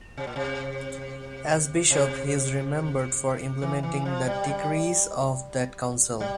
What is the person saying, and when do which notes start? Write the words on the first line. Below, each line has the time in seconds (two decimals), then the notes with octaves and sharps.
As bishop, he is remembered for implementing the decrees of that council.
0.17 C3
0.27 A#2
0.36 C3
1.90 C3
3.62 E3
3.83 E3
4.05 F3
4.27 G3
4.43 A3
4.49 G3
6.20 G3